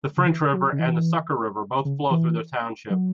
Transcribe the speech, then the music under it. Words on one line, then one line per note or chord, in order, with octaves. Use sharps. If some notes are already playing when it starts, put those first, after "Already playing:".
The French River and the Sucker River both flow through the township.
C#3
E3
F#3
C#3
E3
C#3
E3
F#3